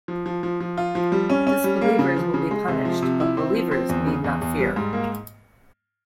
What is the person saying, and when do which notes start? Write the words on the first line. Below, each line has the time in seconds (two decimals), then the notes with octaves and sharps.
Disbelievers will be punished, but believers need not fear.
0.08 F3
0.26 F3
0.43 F3
0.60 F3
0.77 F4
0.95 F3
1.12 G3
1.30 C#4
1.47 C#4
1.64 G3
1.81 A#3
1.99 C#3
2.17 F3
2.34 C#3
2.51 G#3
2.68 C3
2.85 F3
3.02 C3
3.20 E4
3.37 C4
3.55 F3
3.71 C4
3.89 E2
4.07 C#3
4.24 E2
4.41 E2
4.59 G3
4.76 G#2
4.93 A#3